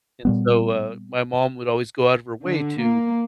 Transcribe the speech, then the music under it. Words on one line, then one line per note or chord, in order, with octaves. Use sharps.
And so, uh, my mom would always go out of her way to
A#2 G3 B3
D3
A#3